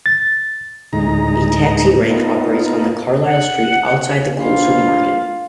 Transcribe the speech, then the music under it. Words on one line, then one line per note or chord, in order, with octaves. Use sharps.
A taxi rank operates on Carlisle Street, outside the Coles Supermarket.
A6
D2 A2 G#3 D#4 A#5
B3 D#4 F4 A4 A#4
F#5
A#1 F4 F5